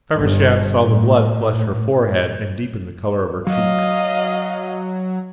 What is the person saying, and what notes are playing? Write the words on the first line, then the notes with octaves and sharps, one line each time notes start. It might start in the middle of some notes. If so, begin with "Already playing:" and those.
Feversham saw the blood flush her forehead and deepen the colour of her cheeks.
G1
A2
F#3 D#5 F5